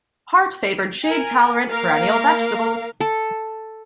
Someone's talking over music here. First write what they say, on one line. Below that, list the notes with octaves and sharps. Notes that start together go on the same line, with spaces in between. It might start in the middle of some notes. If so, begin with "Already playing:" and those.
Hart favoured shade tolerant perennial vegetables.
A#4 G#5
A#3 A#4 F5
A4